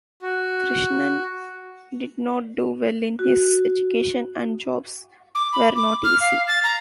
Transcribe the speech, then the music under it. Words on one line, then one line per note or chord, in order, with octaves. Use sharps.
Krishnan did not do well in his education and jobs were not easy.
F#4
F#4
D6
B5
D6
F6
F5
A6
A#5